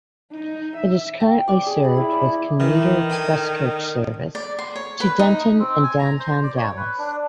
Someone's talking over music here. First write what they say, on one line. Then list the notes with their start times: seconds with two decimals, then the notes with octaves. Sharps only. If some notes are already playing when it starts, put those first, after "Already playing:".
It is currently served with Commuter Express coach service to Denton and downtown Dallas.
0.32 D#4
0.77 E5
1.20 G5
1.48 D5
1.66 G#4
1.84 B5
1.97 E4
2.12 D5
2.29 E4
2.60 D#3 E3
3.10 D3 G5 G#5
4.35 D5
4.59 C6
4.76 C#5
5.00 B4
5.19 D#4
5.59 C4
5.83 G#5
5.99 A#5
6.19 C5
6.43 D5
6.56 C#5
6.77 B4
6.98 D4